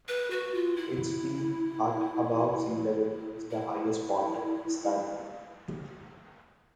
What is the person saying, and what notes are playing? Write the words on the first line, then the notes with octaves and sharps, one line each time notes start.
Its peak at above sea level is the highest point of Istanbul.
B4
F#4
F4
E4
E4